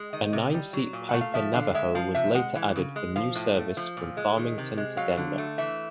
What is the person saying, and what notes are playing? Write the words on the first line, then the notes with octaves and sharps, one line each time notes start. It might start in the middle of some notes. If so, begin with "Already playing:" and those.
A nine-seat Piper Navajo was later added for new service from Farmington to Denver.
Already playing: G#3
D#3 D#5
C3
G3
F#3
A#2
A3 F#5
F5
F3 E5
D3 F5
G#3 E5
F3 F5
C3 E5
G#3 F#5
E3
C#3
G#3
F3 F5
A2
A3
F3
A#2
G#3
D#3
C3
G#3
F#3 F5
D3
A3
E3 E5